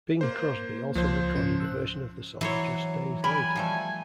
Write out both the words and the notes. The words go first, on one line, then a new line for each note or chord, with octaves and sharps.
Bing Crosby also recorded a version of the song just days later.
A#3 C5
C#2 F3 C5
G#2 C#3 C#4
E6 F#6
E3 F#3 E4 C5 C#5
G4 A#4 G#5 B5
F3 G3 A3